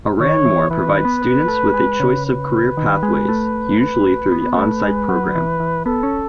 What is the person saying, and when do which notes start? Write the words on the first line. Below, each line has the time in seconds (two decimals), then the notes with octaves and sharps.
Aranmore provides students with a choice of career pathways, usually through the OnSite program.
0.20 D#3 C#5
0.45 E3
0.70 E3 B4
0.88 D#3
1.05 B3
1.22 B3
1.48 A3
1.74 G#3
2.00 C#3
2.25 B4
2.77 D#3
3.03 G#3
3.29 A3
3.80 B4
4.32 B3
4.57 A3
4.83 G#3
5.09 F#3
5.35 E3
5.60 E3
5.85 B3 A4
6.03 C#4